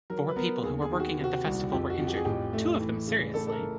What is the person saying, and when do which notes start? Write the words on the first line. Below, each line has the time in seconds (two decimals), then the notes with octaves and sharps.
Four people who were working at the festival were injured, two of them seriously.
0.10 F#3 A#4
0.29 B4
0.36 B3 A#4
0.64 D#2 G#4
0.82 G#4
0.91 D#3
1.00 F#4
1.18 C3
1.24 F#4
1.45 C2
1.72 F2 G4
1.90 F#4
1.99 F2
2.08 G4
2.16 G#4
2.24 A1 G4
2.53 A3
2.80 E3
3.08 C#3
3.34 A2 A4
3.47 A4
3.52 A#4
3.62 A2